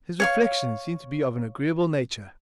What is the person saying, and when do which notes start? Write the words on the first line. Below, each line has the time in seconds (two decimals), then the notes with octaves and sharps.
His reflections seemed to be of an agreeable nature.
0.20 C#5 F5 C#6